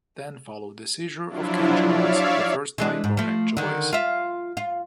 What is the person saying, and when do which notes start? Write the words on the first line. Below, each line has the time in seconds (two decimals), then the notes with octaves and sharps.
Then followed the seizure of King Charles the First by Cornet Joyce.
1.28 F3 F#3 D4 E4 F4
1.81 C#5 D5 E5 F5
2.78 E3 G#3 D4
3.04 G#2
3.17 F3 A3
3.57 D3 D#3
3.93 F4 E5
4.57 F4